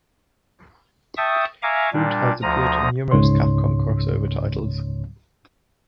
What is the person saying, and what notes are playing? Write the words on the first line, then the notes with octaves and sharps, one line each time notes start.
Hood has appeared in numerous Capcom crossover titles.
E5 G5 A5 C#6 D#6
E5 F5 G#5 A#5 C#6 D6
A#2 G3 D4
D2 F3 A#5 D#6
C#2 G#2 C#3 C#5 C6